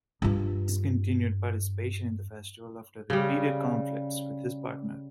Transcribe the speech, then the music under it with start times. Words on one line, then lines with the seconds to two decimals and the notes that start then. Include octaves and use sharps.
He discontinued participation in the festival after repeated conflicts with his partner.
0.22 G2 F4
3.10 C#3 G3